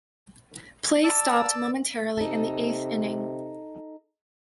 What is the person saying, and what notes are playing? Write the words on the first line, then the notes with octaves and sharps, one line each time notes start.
Play stopped momentarily in the eighth inning.
D5 A5 E6
C3 D#4 A4